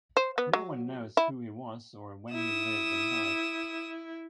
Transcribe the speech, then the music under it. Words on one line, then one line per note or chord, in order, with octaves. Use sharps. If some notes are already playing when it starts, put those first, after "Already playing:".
No one knows who he was, or when he lived and died.
C5
B3
F#3
E4
E4 D#6 E7